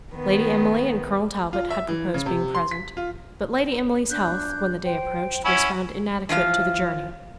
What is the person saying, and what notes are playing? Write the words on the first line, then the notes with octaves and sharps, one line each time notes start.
Lady Emily and Colonel Talbot had proposed being present; but Lady Emily's health, when the day approached, was found inadequate to the journey.
D#3 B3
F4
E5
E3
C#3
C3
C6
B6
F4
D4 F#6 G6
C5 G5
C#4 E4 F#5
E3 F3 F4 F5